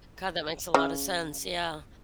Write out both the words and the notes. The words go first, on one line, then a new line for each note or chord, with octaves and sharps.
God, that makes a lottta sense, yeah.
C#3